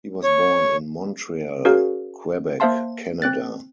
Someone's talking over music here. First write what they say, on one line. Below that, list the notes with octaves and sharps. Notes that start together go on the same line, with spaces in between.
He was born in Montreal, Quebec, Canada.
C#5
C#4 F#4 G#4 A#4 C#5 F5
A#3 C5 E5 F5 A5 C6
C4 F#6 A6